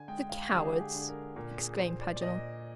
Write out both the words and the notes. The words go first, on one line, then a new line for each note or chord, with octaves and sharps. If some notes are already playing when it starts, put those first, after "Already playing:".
"The cowards!" exclaimed Paganel.
Already playing: D3 G#5
G#3 G5
F5
D3 G4
G#4
G4
G#4
D3
G#4
A#4
A#2 A#4
G#4
A#2 C5
D5
D5
A#2 D#5